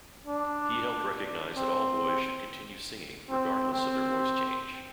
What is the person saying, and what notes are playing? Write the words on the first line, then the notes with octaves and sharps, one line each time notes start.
He helped recognize that all boys should continue singing regardless of their voice change.
D4
C4
C4
C4